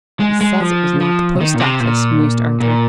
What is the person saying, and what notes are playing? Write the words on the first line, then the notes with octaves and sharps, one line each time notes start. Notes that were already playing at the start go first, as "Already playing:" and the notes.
"He says it was not the post-office," mused Arthur.
G#3
G#3
F3
F3
C3
D#3
A#2
C3
A#2
A#2